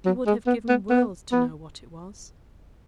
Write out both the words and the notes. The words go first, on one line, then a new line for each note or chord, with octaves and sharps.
She would have given worlds to know what it was.
F#3
G#3
B3
B3
B3
B3